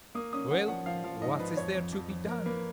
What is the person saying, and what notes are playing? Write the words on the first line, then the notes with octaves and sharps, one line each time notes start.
'Well, what is there to be done?
A#3 D#6
C#4 D#6
C#4 F#5
F3 F#5
F3 F5
F3 F5
G#2 D#5
F3 B4
F2 C#5
F2
F2
F2
F2 A#4
A#3 B4